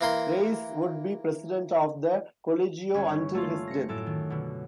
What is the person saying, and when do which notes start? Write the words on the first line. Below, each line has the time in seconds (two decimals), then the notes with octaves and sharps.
Reyes would be president of the "Colegio" until his death.
0.01 E3 A#3 C6
2.94 G1 C#4 C#6
3.33 G3 A3 A#3 C#4 F4
3.67 A#6 C#7
3.89 F#2 A2 A4 D7
4.06 D#3
4.30 B2 D3